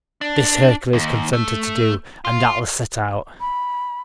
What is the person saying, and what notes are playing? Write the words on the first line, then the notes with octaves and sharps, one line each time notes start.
This Hercules consented to do, and Atlas set out.
D4
D#2
A3
F4
B5